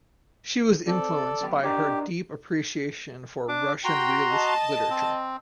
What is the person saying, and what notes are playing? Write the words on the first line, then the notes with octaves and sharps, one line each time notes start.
She was influenced by her deep appreciation for Russian realist literature.
C4 A4 D5
F#2 B3 G4
D4 D#4 G4 A#4
D4 D6
F#4 G5 A#5 C6
D#5 A5
C4